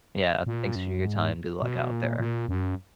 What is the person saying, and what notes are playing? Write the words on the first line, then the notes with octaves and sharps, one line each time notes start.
Yeah, "Thanks for your time. Good luck out there."
A#2
F#2
G#2
B2
A#2
A#2
F#2